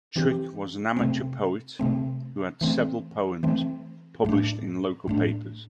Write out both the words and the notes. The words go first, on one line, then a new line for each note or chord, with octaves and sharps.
Trick was an amateur poet who had several poems published in local papers.
E3 C4 G4
C3 A3 C4
C3 A3 C4
E3 A3 C4
E3 A3 C4
A2 A3 D4
A2 A3 D4